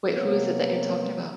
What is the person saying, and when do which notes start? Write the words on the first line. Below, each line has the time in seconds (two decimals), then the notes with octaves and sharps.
Wait, who is it that you're talking about?
0.12 C3 F#3 A#3 B3 B4 C#5